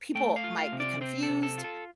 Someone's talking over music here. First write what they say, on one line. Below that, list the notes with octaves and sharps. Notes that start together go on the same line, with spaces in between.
people might be confused
A3 G5
F5
F4
F5
C3
D5
C4 C5
A4
C3
A4
F4
A4